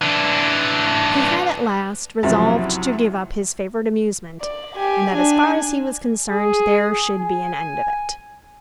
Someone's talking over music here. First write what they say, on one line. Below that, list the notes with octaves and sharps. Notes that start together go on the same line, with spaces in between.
He had at last resolved to give up his favourite amusement, and that as far as he was concerned there should be an end of it.
E3 D4
C#2 A2 C3 F3 F#3
D5
G4 G#5
D4 G#5
G#4
G#5